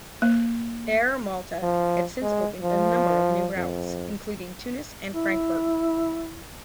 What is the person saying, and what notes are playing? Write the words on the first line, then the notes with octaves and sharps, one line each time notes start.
Air Malta had since opened a number of new routes, including Tunis and Frankfurt.
A#3
F3
G#3
F3
F2
E4